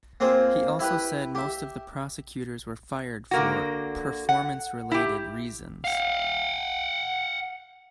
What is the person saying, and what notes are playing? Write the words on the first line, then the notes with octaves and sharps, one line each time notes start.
He also said most of the prosecutors were fired for "performance-related" reasons.
A#3 C4 F4 G#4 C5
E4 G4 B4
G4 E5
D3 A#3 F#4
F#5
E4 G4
F5 F#5